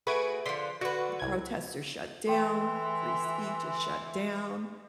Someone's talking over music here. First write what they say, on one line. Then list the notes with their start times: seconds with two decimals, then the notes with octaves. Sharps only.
the protests are shut down, free speech is shut down,
0.07 A3 F#4 G#4 B4 G#6 D7
0.46 D3 F3 C6 B6
0.81 D3 F#4 B4
1.20 C2 G#6
2.27 E3 A4 G5 C6